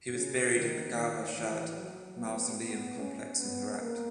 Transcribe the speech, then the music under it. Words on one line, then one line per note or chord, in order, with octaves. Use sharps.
He was buried in the Gawhar Shad Mausoleum complex in Herat.
C#3
D#3
D#3
E3
F#3
B3
B3
C#4
B3
A#3